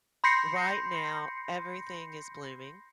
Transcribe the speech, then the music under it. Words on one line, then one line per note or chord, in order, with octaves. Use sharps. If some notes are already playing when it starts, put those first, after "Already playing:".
right now, everything is blooming,
B5 C6 G6 A#6 C7 C#7